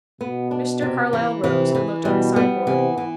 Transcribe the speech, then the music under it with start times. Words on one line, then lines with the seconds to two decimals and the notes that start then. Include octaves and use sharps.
Mr. Carlyle rose and looked on the side-board.
0.21 B2 B3
0.51 D4
0.82 C3
1.13 E3
1.43 C3 E3
1.75 E3
2.05 B2 G3
2.36 B3
2.66 C3 E3
2.98 E3